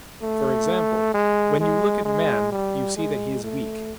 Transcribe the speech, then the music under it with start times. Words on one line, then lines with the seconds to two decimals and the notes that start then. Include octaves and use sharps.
For example, when you look at man, you see that he is weak.
0.23 A3
1.14 G#3
1.61 G#3
2.05 G#3
2.52 G3
2.97 G#3
3.44 A3